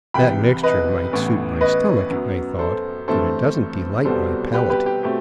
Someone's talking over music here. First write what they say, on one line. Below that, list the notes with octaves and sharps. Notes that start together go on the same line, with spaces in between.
That mixture might suit my stomach, I thought, but it doesn't delight my palate.
C2 C3 E3 G5 B5
B4 D#5
A1 A2 E3 B3
B4 D#5
F#2 F#3 B3
A4 C5
G1 G2 E3 A3 C4 A4 C5
C2 B2 G3 B3 A4 C5
G4 B4
G4 B4
G4
B2 A3 C4 G4